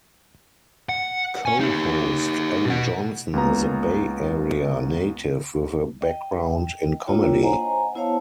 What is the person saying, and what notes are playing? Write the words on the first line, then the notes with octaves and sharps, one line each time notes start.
Co-host Ally Johnson is a Bay Area native with a background in comedy.
F#5
C#5 G#5
D#4 G4
B2 F#5
C#2 A#3 B3 A#5
D#5 G5
A#3 D4 E4 F4 C#5 G5
C5 D#5 F#5 G#5 A#5
B3 E4 C5 C#5 F5 A5